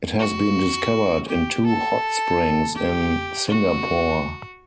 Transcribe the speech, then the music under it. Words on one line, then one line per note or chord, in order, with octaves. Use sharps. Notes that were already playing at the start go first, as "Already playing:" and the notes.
It has been discovered in two hot springs in Singapore.
F#4
G4
A4
G4
F#4